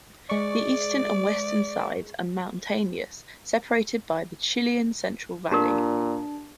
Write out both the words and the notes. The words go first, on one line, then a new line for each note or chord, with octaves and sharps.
The eastern and western sides are mountainous, separated by the Chilean Central Valley.
G#3 D5 C#6
A#2 D4 G4 A#4